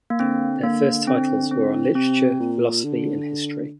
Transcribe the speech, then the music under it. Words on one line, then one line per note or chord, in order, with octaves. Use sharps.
Their first titles were on literature, philosophy and history.
A#3
D3 C4
A#3
C4
C4
C3 C4
A#2
D3